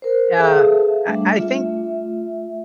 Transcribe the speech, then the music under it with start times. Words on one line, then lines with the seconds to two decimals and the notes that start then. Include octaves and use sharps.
Um, I I think
0.02 A#4 C5
0.37 G#4 A4 B4 E5 F5 A5
1.07 G3 A3 D4 E5
1.35 A3 F4 E5